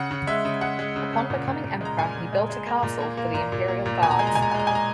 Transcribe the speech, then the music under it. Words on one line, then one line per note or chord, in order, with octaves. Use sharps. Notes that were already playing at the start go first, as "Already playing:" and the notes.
Upon becoming emperor, he built a castle for the imperial guards.
Already playing: C#3 F#5
C#3
G#3 E5
C#3
G#3 F#5
G#3
C#3
C#3
A#2
A#2
A#2
G#3 A#5
A#2 G#5
A#2
G#3
G#3
A#3
A#2
A#3
A#3
A#2 A#5
A#2
A#3
A#2
B2 G#5
A#5
G#3 G#5
A#5
G#3 G#5
A#5
G#3 G#5
A#5
G#5
G#3 A#5